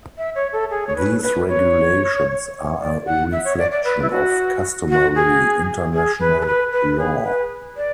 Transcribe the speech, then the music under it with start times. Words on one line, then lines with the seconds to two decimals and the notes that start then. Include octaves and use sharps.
These regulations are a reflection of customary international law.
0.18 E5
0.35 C#5
0.52 A4
0.70 G#4
0.87 C#5
0.96 B4
1.18 A4
1.23 B4
1.48 C#5
2.79 D5
3.06 F#5
3.32 E5
3.45 C#5
3.58 D5
3.71 D5
3.84 B4
4.02 E4
4.10 F#4
4.89 F#4
5.15 G#4
5.94 G#4
6.20 B4
6.41 A4
6.46 B4
6.72 B4
6.98 G#4
7.24 B4
7.77 D5